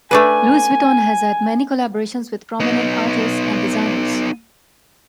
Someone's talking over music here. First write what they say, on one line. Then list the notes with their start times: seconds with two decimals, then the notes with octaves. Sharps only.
Louis Vuitton has had many collaborations with prominent artists and designers.
0.11 A3 D4 B4 G#5
2.60 B3 D#4